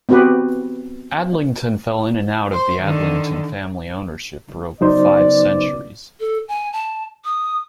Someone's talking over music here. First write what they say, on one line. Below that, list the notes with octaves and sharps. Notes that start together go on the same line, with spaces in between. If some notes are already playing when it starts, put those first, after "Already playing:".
Adlington fell in and out of the Adlington family ownership for over five centuries.
B3 C4 F#4 G4 B4
C5
D3 D#3
C#3 F#3 B3 D#4 C5 D5
A4
G#5
A5
D#6